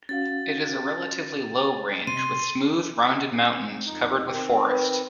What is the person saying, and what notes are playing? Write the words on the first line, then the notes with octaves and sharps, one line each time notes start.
It is a relatively low range, with smooth, rounded mountains covered with forest.
C#4 F#4 F5 A6
C3 C6 D#7
C4
F2 D#4
D#3 C4
B4